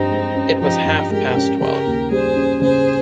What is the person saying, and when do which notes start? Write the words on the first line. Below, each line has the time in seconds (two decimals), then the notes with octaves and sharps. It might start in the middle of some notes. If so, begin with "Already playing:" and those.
It was half-past twelve.
Already playing: G2 F3 C4 D#4
0.11 G#3
0.35 C#4
0.60 F3 D#4 G4
0.85 G2
1.11 G#3 G4 A#4
1.36 C#4
1.60 C#3 G4 A#4
1.86 D#2
2.10 G3 G#4 C5
2.36 C#4
2.61 C#3 G#4 C5